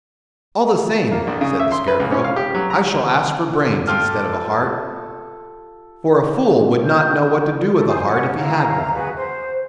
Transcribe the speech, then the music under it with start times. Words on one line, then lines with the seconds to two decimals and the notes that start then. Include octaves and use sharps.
"All the same," said the Scarecrow, "I shall ask for brains instead of a heart; for a fool would not know what to do with a heart if he had one."
1.12 A#3
1.27 A#1
1.41 C#3
1.60 E5
1.72 C6
1.88 B4
2.00 C#2
2.11 C#4
2.24 F5
2.36 G4
2.55 F#3
2.70 A#5
3.87 F4 G4 A4 F6
6.85 G6
7.75 A4 E5
7.87 C5 G#5 D#6
8.07 C#4 B4 F#5
8.36 E4 F5 A#5
8.93 F#4 G#4 B4
9.16 C5